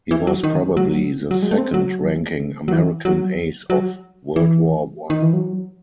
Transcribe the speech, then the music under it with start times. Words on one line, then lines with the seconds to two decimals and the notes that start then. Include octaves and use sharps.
He was probably the second-ranking American ace of World War One.
0.11 E3
0.27 F#3
0.43 D#3
0.77 F#3
1.31 F#3
1.42 G#3
1.51 A3
1.58 C4
1.74 F#3
2.68 F#3
2.73 E3
3.05 F#3
3.70 F#3
4.36 E3
5.10 D#3
5.22 E3
5.33 F#3